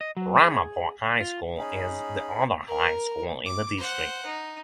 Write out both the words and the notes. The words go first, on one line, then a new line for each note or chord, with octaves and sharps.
Ramapo High School is the other high school in the district.
D#5
F#3
G#4
F4
C#4 D#4 G#4 B5
A#4
D6
C5 F#5
D#4